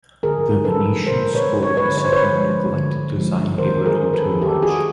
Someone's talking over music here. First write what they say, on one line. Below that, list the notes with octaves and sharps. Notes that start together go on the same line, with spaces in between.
The Venetian school is said to have neglected design a little too much.
D3 G#4 A#4
F3 G#3 A4 B4
D3 A#4 C5
B4 C#5
F3 G#3
C#5
B4 C#5
D3
C#5
C5
B4 C#5
F3 G#3
D3
F3 G#3
D#3 A#4 C5
G#4 A#4
F#3 A3
A4 B4
G#4
D#3 G4 A4
F#4 G#4